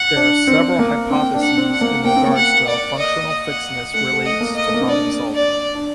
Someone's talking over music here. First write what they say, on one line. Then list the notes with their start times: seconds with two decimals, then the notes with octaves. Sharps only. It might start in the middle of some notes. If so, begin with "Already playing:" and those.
There are several hypotheses in regards to how functional fixedness relates to problem solving.
Already playing: F#5
0.16 D4
0.47 C4
0.79 A#3
1.10 C4 G5
1.34 D4
1.42 F#5
1.57 C4
1.73 F#5
1.81 A#3
2.04 A#3 G5
2.16 C4
2.27 A#3
2.36 F#5
2.68 D5
2.99 D#5
3.46 F#5
3.94 A3 F#5
4.13 A3
4.25 D#5
4.41 A#3
4.56 D#5
4.67 A3
4.74 A#3
4.81 C4
4.87 D4 D5
5.35 D5
5.75 D4